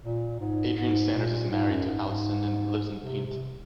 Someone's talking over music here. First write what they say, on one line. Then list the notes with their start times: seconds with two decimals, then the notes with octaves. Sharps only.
Adrian Sanders is married to Alison and lives in Paignton.
0.02 A#2
0.40 G#2
0.76 G#2
1.14 A#2
1.51 G#2
1.70 F#2
1.89 G#2
2.07 G#2
3.00 C3
3.26 C3